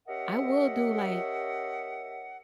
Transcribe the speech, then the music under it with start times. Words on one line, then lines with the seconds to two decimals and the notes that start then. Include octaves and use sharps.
I will do, like,
0.07 C#4 G4 A#4 D#5 E5 F#5